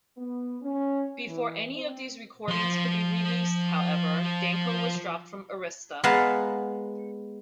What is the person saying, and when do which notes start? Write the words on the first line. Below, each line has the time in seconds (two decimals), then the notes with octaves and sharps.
Before any of these recordings could be released, however, Danko was dropped from Arista.
0.17 B3
0.62 C#4
1.27 E3
1.74 C4
2.48 F3 C6
6.04 G#3 B3 F5 F#5 A5 A#5